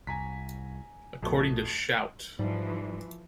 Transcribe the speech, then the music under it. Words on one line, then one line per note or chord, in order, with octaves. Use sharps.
According to Shout!
C2 G#5 A#5 B6
A#1 F2 B2 A3
G#2 E3 F3 G3